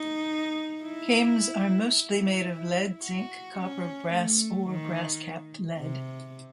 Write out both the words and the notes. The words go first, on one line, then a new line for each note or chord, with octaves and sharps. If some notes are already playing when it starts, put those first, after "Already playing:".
Cames are mostly made of lead, zinc, copper, brass or brass-capped lead.
Already playing: D#4
E4
E4
F#4
C#4
A3
D#3
C3